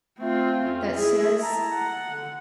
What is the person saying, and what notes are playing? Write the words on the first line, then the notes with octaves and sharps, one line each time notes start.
that says
A3 C4 F4
F2 C#4
E4 G#4
A5 A#5
F#5
D3